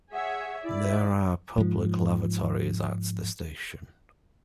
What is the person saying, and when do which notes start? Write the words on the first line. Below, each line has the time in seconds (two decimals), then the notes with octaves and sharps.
There are public lavatories at the station.
0.12 G#4 C#5 E5 F#5
0.64 E4 D5
1.58 G#2 F3